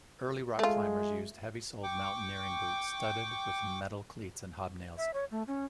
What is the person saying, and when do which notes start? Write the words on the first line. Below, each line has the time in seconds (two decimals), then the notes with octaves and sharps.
Early rock climbers used heavy-soled mountaineering boots studded with metal cleats and hobnails.
0.59 G#3 A3 F4
1.83 G5 C#6 D6
4.97 E5
5.14 C#5
5.31 A3
5.48 C#4